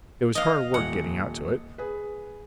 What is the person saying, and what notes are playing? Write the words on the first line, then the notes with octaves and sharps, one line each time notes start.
It was hard work getting out to it!
D#5 F5
D#1 F#5 G#5
G#4 B4